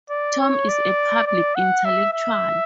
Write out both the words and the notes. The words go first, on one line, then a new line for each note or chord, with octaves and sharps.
Tom is a public intellectual.
D5
C#5
D5
D5
F#5
E5
E5